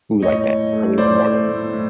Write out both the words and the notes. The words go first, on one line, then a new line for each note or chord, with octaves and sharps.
food, like that early in the morning.
A2 C#5 D#5
A2
A3
A2 C5 D5
A3
A2
A2